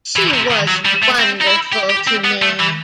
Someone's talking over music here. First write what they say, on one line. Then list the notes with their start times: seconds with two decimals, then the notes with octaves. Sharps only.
She was wonderful to me.
0.16 E3
0.34 C3
0.51 D#3
0.68 F#3
0.86 G3
1.03 A3
1.20 C4
1.42 D#4
1.47 E4
1.73 G4
1.90 G4
2.08 C4
2.25 B3
2.42 A3
2.60 E3